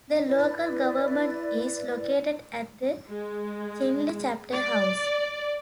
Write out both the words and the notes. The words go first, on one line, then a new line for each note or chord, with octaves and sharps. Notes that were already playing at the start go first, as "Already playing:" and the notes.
The local government is located at the Chinle Chapter House.
E4 B4 D5
G#3
D5